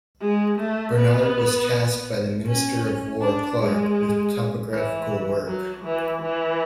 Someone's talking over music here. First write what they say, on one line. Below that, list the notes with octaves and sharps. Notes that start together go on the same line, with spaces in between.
Bernard was tasked by the minister of war Clarke with topographical work.
G#3
A3
B3
C#4
D4
G#3
E3
F#3
E3
E3